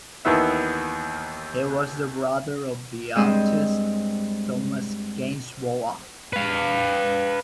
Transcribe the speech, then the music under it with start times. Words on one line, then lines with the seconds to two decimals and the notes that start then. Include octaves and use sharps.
He was the brother of the artist Thomas Gainsborough.
0.25 D#2 D#3 E3 B3 E5
3.15 G2 G#3 C4 G#4 D#5 E6
6.33 B4 F5